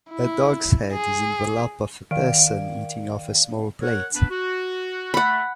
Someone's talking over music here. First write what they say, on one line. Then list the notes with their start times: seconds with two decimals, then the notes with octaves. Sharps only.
A dog 's head is in the lap of a person eating off a small plate.
0.11 E4
0.93 G#4
2.11 D#3 D5 F5 D7
3.82 A#4 C#5 F#5
4.13 B3 D4 B4
4.30 F#4
5.14 A3 F#5 B5